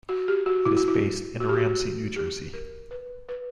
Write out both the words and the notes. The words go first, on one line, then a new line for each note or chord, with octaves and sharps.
It is based in Ramsey, New Jersey.
F#4
G4
F#4
E4
F#4
E4
F#4
G4
F#4
G4
A#4
B4
B4